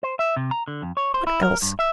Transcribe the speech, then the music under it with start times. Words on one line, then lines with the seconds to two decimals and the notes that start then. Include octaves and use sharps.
What else?
0.03 C5
0.19 E5
0.37 C3
0.51 A#5
0.68 D3
0.82 F2
0.97 C#5
1.14 C5
1.27 E4
1.42 A#4
1.62 G2
1.79 E5